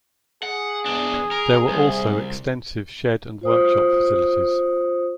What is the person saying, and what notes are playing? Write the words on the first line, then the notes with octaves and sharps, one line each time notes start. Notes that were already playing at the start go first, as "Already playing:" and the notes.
There were also extensive shed and workshop facilities.
G#4 F#5
E2 D4
A#4
C2
F4 C5 D#6